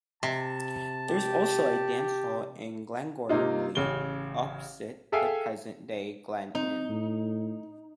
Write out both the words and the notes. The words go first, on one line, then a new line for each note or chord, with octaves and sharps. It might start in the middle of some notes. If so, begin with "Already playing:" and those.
There is also a dance hall in Glengormley, opposite the present day Glen Inn.
C3 A5
G4
C3 A#3 D#4 F4
A1 C#3 G7
G#4 A4 E5 F5 G5 G#5
C4 D#4
A2